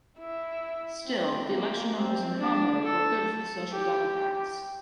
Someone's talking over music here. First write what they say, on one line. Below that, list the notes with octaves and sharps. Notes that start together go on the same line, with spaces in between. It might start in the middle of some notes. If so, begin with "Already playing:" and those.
Still, the election numbers in Hamburg were good for the Social Democrats.
E4
C4
A#3
C4
D4
A4
G4